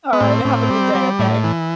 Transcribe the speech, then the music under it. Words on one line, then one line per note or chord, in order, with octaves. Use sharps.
Alright. Have a good day, okay?
B3
A2 C4
A2
G3
G3
A2
E3